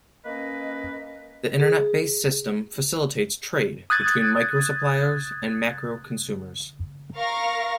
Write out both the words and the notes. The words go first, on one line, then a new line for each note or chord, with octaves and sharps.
The Internet-based system facilitates trade between micro-suppliers and macro-consumers.
A#3 C#4 B4 D#5
G#4
D#6 F#6 G#6 A6
A#4 F5 C#6 A#6